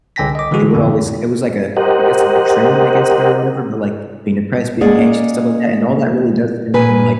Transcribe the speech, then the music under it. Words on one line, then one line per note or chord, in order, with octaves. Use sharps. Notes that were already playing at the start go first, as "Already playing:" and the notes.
they would always it was like a I guess, like, a trend, I guess, or whatever, but, like, being depressed, being anxious, stuff like that, and all that really does stem from, like
C2 D3 G5 G#5 A#6 B6
D#5 D6
D3 E3 G#3 F#4 G#4
F2 B2 D3
G4 A#4 C5 D#5 F#5
A#3 C#4 G#4 D5 D#5 F#5
A#2 B4 G#5